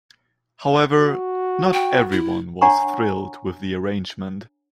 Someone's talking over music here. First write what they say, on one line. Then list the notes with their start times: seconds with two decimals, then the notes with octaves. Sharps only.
However, not everyone was thrilled with the arrangement.
0.97 F#4
1.73 G5
2.12 E4
2.62 D4 C#5 F#5 G#5 A#5 C#6